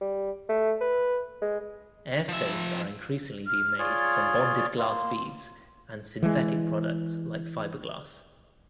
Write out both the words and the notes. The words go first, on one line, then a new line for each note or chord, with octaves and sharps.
Airstones are increasingly being made from bonded glass beads and synthetic products like fiberglass.
G3
A3
B4
G#3
F3 E5
F6
F4 G#4 C#5 D5
A#3 C6
E3 G#3